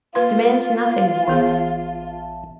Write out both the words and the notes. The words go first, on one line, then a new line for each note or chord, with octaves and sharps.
Demand nothing more.
A#3 F4 B4 C6
A1 E3 B3 G#4